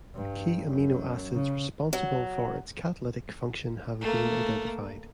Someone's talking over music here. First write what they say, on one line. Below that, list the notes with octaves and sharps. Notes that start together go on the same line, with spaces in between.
Key amino acids responsible for its catalytic function have been identified.
G2
F#2
C#3
F#3
A3 A#3